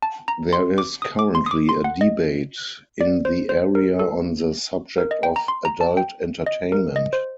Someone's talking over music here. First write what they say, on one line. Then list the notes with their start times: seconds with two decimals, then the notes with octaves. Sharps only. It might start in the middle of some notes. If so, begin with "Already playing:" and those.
There is currently a debate in the area on the subject of "adult entertainment".
0.02 A5
0.28 A#5
0.53 C6
0.78 D6
1.02 D#6
1.19 D6
1.35 C6
1.46 D#6
1.51 D6
1.69 C6
1.84 F#5
2.01 D#5
3.01 D5
3.25 C5
3.49 C5
3.75 A#4
3.99 A4
4.98 A#4
5.11 D#5
5.23 G5
5.36 A#5
5.48 C6
5.65 A#5
5.81 A5
5.97 G5
6.46 D#5
6.72 A#4
6.96 D#5
7.13 C5